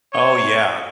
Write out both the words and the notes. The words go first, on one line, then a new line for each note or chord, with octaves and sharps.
Oh, yeah.
C#5